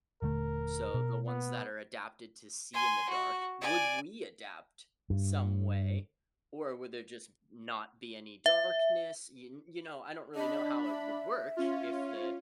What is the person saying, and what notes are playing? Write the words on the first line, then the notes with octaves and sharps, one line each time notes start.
so, the ones that are adapted to see in the dark would we adapt some way, or would there just not be any darkness? Y you know, I don't really know how it would work if the
D#1 D3 A3 A#4
B2
B3
G#5 C6
F#4
D5 G#5
G2
E5
D4 D#5 B5
E5
C#4 F4